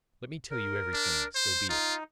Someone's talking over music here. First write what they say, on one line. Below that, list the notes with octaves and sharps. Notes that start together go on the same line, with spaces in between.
Let me tell you everything, so be it.
A#4
D4
C5
D#4 F4